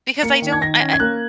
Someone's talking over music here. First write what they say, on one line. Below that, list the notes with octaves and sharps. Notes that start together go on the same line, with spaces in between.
because I don't I
A#3 C#7
D#3
G#6
D#3 A#6
C#4
G#6
A#3 F#6